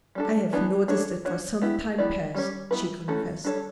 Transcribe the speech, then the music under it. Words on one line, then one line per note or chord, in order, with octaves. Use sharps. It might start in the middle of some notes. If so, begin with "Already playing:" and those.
"I have noticed it for some time past," she confessed.
G3 D4 A4
E3 B3 D4
D4 A4 C#5
D4 F#4 C#5
B3 E4 G4
E3 B3 E4 G4 D5
G3 C#4 G4 C#5
G3 B3 E4 B4
E3 A3 C#4 F#4 A4
G3 D4 A4 C#5